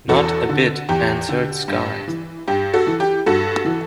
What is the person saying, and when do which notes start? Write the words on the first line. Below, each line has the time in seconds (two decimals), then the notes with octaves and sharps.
"Not a bit," answered Skye.
0.09 E2 F#4 A4
0.49 D3
0.89 E2 G4
1.29 D3
1.68 G2
2.08 E3
2.48 G2 G4
2.74 F#4 A4
2.87 E3
3.00 G4
3.26 G2 F#4 A4
3.66 E3